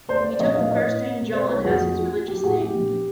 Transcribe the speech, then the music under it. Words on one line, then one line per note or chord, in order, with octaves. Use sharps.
He took the first name John as his religious name.
A3 C5 D5
C5 D5
A3
C5 D5
A#1 C#5 D#5
A#1 D#5 F5
A2 C#5 D#5
A2
C4
B2
C4 C5 D5
C2 B4 C#5
F2 F#4 G#4
F2
F3
F3
F#3 G4
A2 F#4 G#4
F#3 G4
A#1
B3